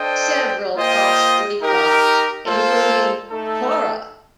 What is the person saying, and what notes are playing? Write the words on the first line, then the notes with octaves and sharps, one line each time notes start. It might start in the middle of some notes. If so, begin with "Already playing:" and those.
Several costly flops, including Tora!
Already playing: D4 A4 C5 D#5 G5
A#3 F4 C5 D#5 G5
D#4 G4 A#4
A#3 F4 A4 C5
A3 D#4 A4